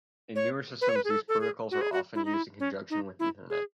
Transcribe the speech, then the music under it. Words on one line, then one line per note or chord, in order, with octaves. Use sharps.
In newer systems, these protocols are often used in conjunction with ethernet.
C#5
B4
C#5
B4
G#4
A4
A4
G#4
F#4
G#4
F#4
E4
D#4
E4
C#4
D#4
E4
G#4